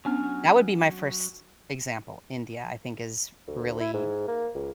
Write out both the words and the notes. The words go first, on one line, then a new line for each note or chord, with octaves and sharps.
That would be my first example. India, I think is really
F#3 B3 C#4 D4 G#5 F6
D2
E4
G#2
A#3
C#2